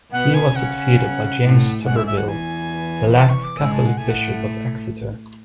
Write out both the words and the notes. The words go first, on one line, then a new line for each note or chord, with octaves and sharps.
He was succeeded by James Turberville, the last Catholic Bishop of Exeter.
B2 B3 F#5
G#5
C#3 C#4 F#5
A2 A3
G#2 G#3 F#5
E5
E5
F#5
E2 E3 G#5
A5
C#6
D6
G#2 G#3 E6
A5
F#5
A2 A3 G#5
F#5